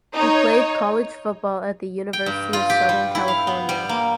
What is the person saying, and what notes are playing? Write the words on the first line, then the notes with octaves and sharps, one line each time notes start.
He played college football at the University of Southern California.
D#4 C#5
G5
G2
F4
G4
G3
E4
F5
B3
G3
A#3